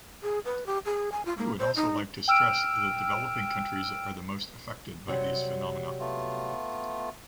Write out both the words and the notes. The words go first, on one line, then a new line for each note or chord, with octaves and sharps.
We would also like to stress that developing countries are the most affected by these phenomena.
G#4
B4
G4
G#4
G#5
F4
A#3
C5
D#4
G5 E6 F6 D7
C3 F#3 G3
A3 B3 F4